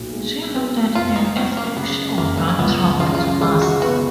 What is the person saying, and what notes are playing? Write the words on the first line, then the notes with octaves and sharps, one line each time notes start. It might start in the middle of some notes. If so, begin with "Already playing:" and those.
She looked at him as if she would not trouble to answer.
Already playing: B1 A#2
G#3
B3
F#1 F4
D#4
F#2 C#4
A#3
C#3 B3
F#1 A#3
D#4
C#4
C#2 B3
C#3 F4
D#4
F4
G#3 F4
F#4
B3 F#4